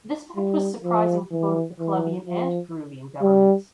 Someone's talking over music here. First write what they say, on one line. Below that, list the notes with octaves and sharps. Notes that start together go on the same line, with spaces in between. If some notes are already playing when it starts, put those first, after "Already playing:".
This fact was surprising for both the Colombian and Peruvian governments.
G3
F3
E3
E3
F3
G3